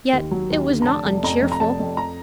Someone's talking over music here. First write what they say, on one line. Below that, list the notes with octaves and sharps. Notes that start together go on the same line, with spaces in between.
Yet it was not uncheerful.
D#2
F#3
D#2
D3
A#5
F1 A5
F1
F2 A#5
F2
A#5
F1 A5
F2
A#5